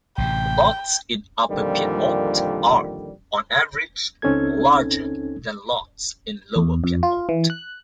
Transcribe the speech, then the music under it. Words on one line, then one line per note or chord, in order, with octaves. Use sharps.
Lots in upper Piedmont are, on average, larger than lots in lower Piedmont.
A1 C3 G5
F2 A#2 D3 D#3 G3
C#2 C4 C#4 D#4 A4 G#6
E2
F2
F4
E3
F#6